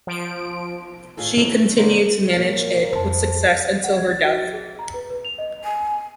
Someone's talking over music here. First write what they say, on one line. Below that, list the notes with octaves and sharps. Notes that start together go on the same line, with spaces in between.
She continued to manage it with success until her death.
F3 D7
A2 D#3 F4 G#4 A4
D#3 F3 F#3 B3 E4 A4
A3
C#3 E3 A#3 D4 A#4 C5
A#2 A#3 A#4 C#5
F2 C5 A5
F#5
G#6
A6
F#4
A6
G#4
A#5
B4
B4
F7
D#5
G#5